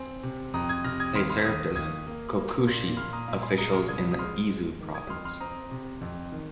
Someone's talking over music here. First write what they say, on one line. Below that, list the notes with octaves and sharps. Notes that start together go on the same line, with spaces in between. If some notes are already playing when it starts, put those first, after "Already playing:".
They served as "kokushi" officials in the Izu Province.
Already playing: C4 G#5
C3
F2 A#5 D#6
D#6 G#6
C3 F6 A#6
D#6 G#6
D#2 C6 F6
C6 F6
D#2 D#6 G#6
D#2 D#6 G#6
A#3
A#3
A#2
A#2 C6 F6
A#5 D#6
A#2 F5 A#5
G#5 C6
G#3 A#5 D#6
C6 F6
C2 D#6 G#6
D#6
G#3 C6 F6
G#3
D#3
D#6 G#6
F2 C6 F6
C6 F6
C4 A#5 D#6
C3
F2
D#3